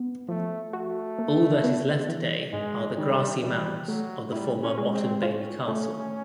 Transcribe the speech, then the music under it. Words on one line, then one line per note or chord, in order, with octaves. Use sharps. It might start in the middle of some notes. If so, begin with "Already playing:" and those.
All that is left today are the grassy mounds of the former Motte-and-Bailey castle.
Already playing: B3
F3 A3
A3 F#4
A#3
B3
E3
G#2 G#3
D#3 G3
E3 G3
F#3 A3
G3 E4
C#4
G#3
C4
C#4 F4
A3